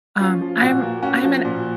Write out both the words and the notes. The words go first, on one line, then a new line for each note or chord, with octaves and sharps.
um I'm I'm an
C#4 F4
F3
A#2 F#4
A#3
C#4 F#4
F3
A#2